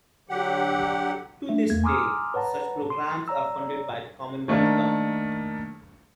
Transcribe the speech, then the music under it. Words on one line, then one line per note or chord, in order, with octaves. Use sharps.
To this day such programs are funded by the Commonwealth Government.
D3 F#3 G4 F#5
A3 D4 E5
E2 A3 A#3 G#6
G#5 A#5 C6 D6 D#6 F6
B4 C#5 F#5 A5 A#5
C6
C#5 D5 A#5 E6
D#3 A3 A#3 D4